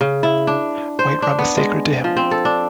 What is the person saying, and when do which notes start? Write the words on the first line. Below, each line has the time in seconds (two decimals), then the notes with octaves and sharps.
White rum is sacred to him.
0.01 C#3
0.23 E4
0.47 D4
0.99 C5
1.22 D4
1.39 B3
1.57 G#3
2.04 F3
2.17 C4
2.31 A4
2.45 D4